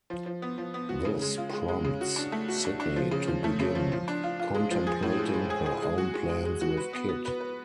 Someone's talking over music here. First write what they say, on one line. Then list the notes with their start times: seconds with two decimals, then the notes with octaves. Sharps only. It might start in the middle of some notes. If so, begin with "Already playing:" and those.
This prompts Sydney to begin contemplating her own plans with Kit.
0.10 F3
0.26 F3
0.42 B3
0.58 F3
0.74 B3
0.89 F#4
1.05 C#3
1.22 G#3
1.37 F4
1.53 G#3
1.68 G#3
1.85 C#3
2.01 F#4
2.16 D4
2.32 A3
2.48 F#4
2.65 D4
2.80 D4
2.96 F3
3.11 C#3
3.28 F3
3.44 A3
3.60 C#3
3.75 F3
3.92 F3
4.08 D4
4.23 F4
4.40 F4
4.55 G#3
4.71 F3
4.87 G#4
5.03 A2
5.19 G#3
5.34 G#3
5.50 G#4
5.66 G#4
5.82 G#3
5.98 F#4
6.14 G#3
6.30 G#3
6.45 G#3
6.61 F#4
6.77 B4
6.93 B3
7.09 B3
7.25 B4
7.41 B4